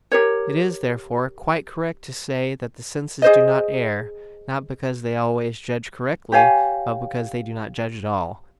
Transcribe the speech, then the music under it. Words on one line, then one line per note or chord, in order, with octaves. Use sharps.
It is, therefore, quite correct to say that the senses do not err, not because they always judge correctly, but because they do not judge at all.
G4 A#4 C#5
G#4 C5 D#5
G4 C#5 F5 G#5